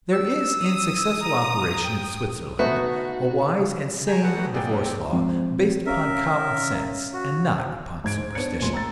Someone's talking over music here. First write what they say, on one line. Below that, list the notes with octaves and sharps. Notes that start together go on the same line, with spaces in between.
There is in successful operation in Switzerland a wise and sane divorce law, based upon common sense and not upon superstition.
E6
D#6
A#5
G5
A3 B3 D#4 F#4
C#2 G#5 A#5 G6
F3 F#4 A4 B4 F#5 G#5
D#2 F#3 A3
A#2 G#4 D5 G5
C#4
C4
F3 G#3 C4
C#4 A#4 C#5 E5 F5
F#4
G#2 G#6 D7
C5
B3 D4 C#5 G#6 C#7
F1 C#2 A#2 C6
A#5 E6 A6